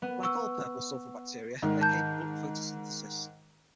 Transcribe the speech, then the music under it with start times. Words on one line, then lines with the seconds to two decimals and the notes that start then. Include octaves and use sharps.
Like all purple sulfur bacteria, they are capable of photosynthesis.
0.02 B3
0.23 C#6 E6
1.62 G#2 D#3
1.81 A5 G6